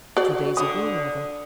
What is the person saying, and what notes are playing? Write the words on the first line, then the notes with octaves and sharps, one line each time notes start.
"Two days ago, mother."
F#4 C5 D5
D3 D#6